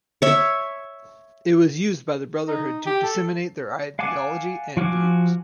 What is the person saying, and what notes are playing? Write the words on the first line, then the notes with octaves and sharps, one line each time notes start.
It was used by the Brotherhood to disseminate their ideology and views.
C#5 E5
D#4
G4
A4
F5 F#5 G#5 A5 D6
F3 F#4 F5 G#5 D6